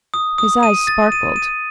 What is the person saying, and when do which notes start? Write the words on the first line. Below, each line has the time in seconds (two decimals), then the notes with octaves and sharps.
His eyes sparkled.
0.14 D#6
0.38 D#6
0.63 D#7
0.87 A6
1.12 D#7
1.36 D#7